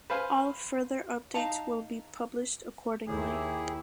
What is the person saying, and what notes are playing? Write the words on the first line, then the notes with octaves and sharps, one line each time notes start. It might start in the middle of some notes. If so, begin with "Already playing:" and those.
All further updates will be published accordingly.
B4 C5 F5 G#5
D#4 F5 A5 A#5
D#2 E4 G4 G#4